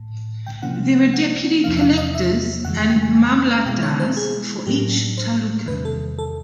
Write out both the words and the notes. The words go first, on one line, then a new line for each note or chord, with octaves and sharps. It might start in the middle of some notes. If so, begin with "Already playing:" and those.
There are Deputy Collectors and Mamlatdars for each Taluka.
Already playing: A2
G5
C3 F3 A#3 C#4 E4 F#5
F#5
E2 C3 F3 A#3 F5
E5
F5
D#5
E5
F2 C#3 E3 G#3 F#5
G#5
G5
G#5
G#5
B2 G#3 B3 E4 G5
C#5
C5
G#4
A2 F#3 A#3 D4 G4
C5
E2 C3 D#3 G3 B4
A4
A4